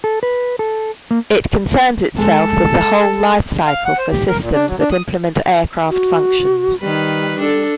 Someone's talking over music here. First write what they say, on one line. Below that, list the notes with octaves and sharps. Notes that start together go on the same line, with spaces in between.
It concerns itself with the whole life-cycle for systems that implement aircraft functions.
A4
B4
A4
A#3
G#3 A4
D2
F5
F#5
C5
G4
A#4
A#2
D4
F#3
D4
D#6
F#4
D#3 G3 B4
D4 A4